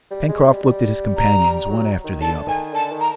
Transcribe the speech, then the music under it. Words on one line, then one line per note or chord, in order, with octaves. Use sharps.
Pencroft looked at his companions one after the other.
G3
G#3
G3
G3
A#5
F#3
D#3
D3 A5
D#3 G#5
D3 A5
D#3
A#5